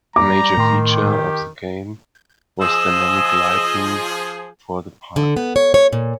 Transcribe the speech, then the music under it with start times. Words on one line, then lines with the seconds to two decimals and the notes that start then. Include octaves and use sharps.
A major feature for the game was dynamic lighting for the park.
0.16 G3 A#5 D6
0.57 A2 D#3 G5 C6
1.10 G4
2.62 F3 G#4 D#5 E6
5.16 D3
5.37 B3
5.56 C#5
5.74 C#5
5.93 A#2